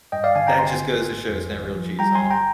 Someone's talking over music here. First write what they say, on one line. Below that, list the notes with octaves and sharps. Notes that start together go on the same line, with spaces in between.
That just goes to show it's not real cheese, huh.
G2 D#5 G5
D5 F5
D3 F5 G#5
G5 A#5
G#1 G#5 C6
G#1
G1
F2
G#1
F3
G3 G5 A#5
G#5 C6
G1
G5 A#5